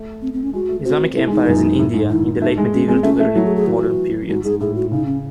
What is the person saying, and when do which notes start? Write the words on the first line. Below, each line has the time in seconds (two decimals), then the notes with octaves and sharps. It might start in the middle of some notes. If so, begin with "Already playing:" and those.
Islamic empires in India in the late Medieval to Early Modern period.
Already playing: A3
0.22 C4
0.33 C4
0.43 C#4
0.53 G#3 F#4
0.69 A3
0.85 C4 F#4
1.16 A3 E4
1.27 G#3
1.31 D#4
1.37 E3
1.48 F#2
1.79 A2
1.94 G#2
2.09 D#3 E4
2.41 A3 D#4
2.57 G#3
2.73 C#4
2.88 G#3 C4
3.03 A3 C#4
3.20 A3
3.35 F#3 E4
3.46 G#4
3.56 G#4
3.66 E3 F#4
4.29 G#2 F#4
4.44 G#2 G#4
4.60 A2 G#4
4.75 F#4
4.91 C#3 D#4
5.06 C#4